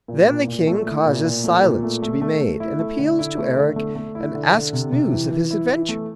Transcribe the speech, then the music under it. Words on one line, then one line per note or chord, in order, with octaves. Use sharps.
Then the King causes silence to be made, and appeals to Erec and asks news of his adventures.
A#2
A#2
A#2
A3
E4
A#2
A#2
A3
A#2
A3
A3
A3
A3
E4
A3
D3
E4
A3
D3
A3
A3
E4
D3
D3
C3
C3
E3
E3
E4
E3
A3